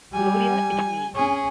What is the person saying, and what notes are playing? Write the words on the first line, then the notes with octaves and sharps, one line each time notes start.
Gloria, it's me!
G3 G#5
C#4 G#4